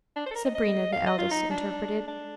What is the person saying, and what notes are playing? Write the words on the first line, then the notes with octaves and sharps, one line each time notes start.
Sabrina, the eldest, interpreted.
D4
C5
A4
A#4
D#5
D#5
F5
D#5
F4
D#4
D4
D4